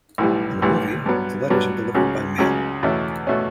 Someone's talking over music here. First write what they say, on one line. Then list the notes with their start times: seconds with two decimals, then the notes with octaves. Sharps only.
In the movie, the letters are delivered by mail.
0.18 B1 A2 E3 G3
0.62 B1 A2 E3 G3
1.06 G2 F#3 B3
1.50 G2 F#3 B3
1.95 C#2 C#3 F#3
2.38 C#2 C#3 F#3
2.83 E2 B2 A3 C#4
3.27 B2 A3 C#4